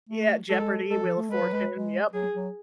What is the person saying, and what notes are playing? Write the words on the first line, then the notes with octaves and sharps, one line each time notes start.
Yeah, Jeopardy, Wheel of Fortune, yup.
A3
G#3 A4
G#3 A4
F3
A3
G#3 B4
F#3
G#3
G#3
F#3 G#4
F#3